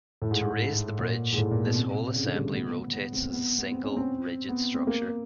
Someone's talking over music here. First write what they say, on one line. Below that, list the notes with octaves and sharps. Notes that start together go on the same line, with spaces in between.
To raise the bridge, this whole assembly rotates as a single, rigid structure.
A2
G#2
G#2
G#2
A#2
G#2
A2
A#2
B2
C3
C#3
D3
G3
A3
B3
B3
B3
B3
C4
B3
B3
C4
C#4
C4
B3
C4
A#3